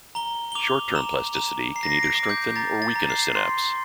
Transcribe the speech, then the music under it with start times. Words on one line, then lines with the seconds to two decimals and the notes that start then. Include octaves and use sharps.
Short term plasticity can either strengthen or weaken a synapse.
0.15 A#5 G7
0.52 G7
0.55 D6 F7
0.95 A#5 E7
1.36 A#5 E7
1.75 A#5 C7
1.83 A#6
1.90 C7
2.03 D7
2.15 D6
2.29 G6
2.56 A#5 A6
2.82 A6
2.96 A#5
3.10 C7
3.36 C6